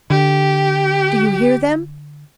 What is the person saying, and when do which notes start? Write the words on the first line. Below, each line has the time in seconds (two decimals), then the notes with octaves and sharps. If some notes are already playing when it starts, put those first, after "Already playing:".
Do you hear them?
0.10 D3 G4